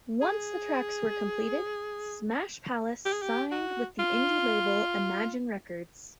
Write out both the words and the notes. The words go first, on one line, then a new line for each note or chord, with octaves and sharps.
Once the tracks were completed, Smash Palace signed with the indie label Imagine Records.
G#4
G4
G#4
G4
F#4
F4